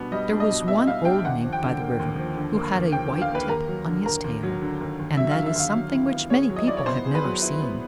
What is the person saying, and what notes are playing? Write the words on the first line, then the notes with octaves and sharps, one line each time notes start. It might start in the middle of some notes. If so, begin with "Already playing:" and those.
There was one old Mink by the river who had a white tip on his tail, and that is something which many people have never seen.
Already playing: B2 G3 B3 D4
G3 D#5
D4
D#5
B2
B3 E5
G3 F5
D4 G5
D#2 F#5
F3
G5
D3
A#3
D#2
F3
D3
A#3
D#2
F3 G5
D3
F5
A#3 B4
D#2 A#4
F#3
D3
D#2 A#4
D#2
F#3
D3
D#2
D#2
F#3 E5
F5
D3
E5
D#2 F5
F#3
E4
B3
G#4 C#5
F#3
D#5
E4 D5
C#5
B3 C5
G#4
B4
F#3
E4
B3